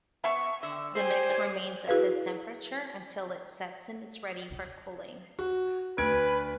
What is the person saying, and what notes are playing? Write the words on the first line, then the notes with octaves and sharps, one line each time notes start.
The mix remains at this temperature until it sets and is ready for cooling.
B3 E5 A5 C#6
D3 E5
G4 G#4 C5 G#5
C#5 D5
E4 F#4 G#4 B4 F5
F#4
D2 B4 G#6 D7